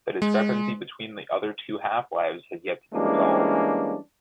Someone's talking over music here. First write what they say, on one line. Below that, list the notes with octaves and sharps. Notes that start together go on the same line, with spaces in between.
The discrepancy between the other two half-lives has yet to be resolved.
G#3
E3 G3 G#3 A#3 C#4 D4